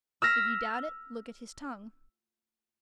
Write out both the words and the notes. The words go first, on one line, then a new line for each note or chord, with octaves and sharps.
If you doubt it, look at his tongue.
E6 F6 A#6 B6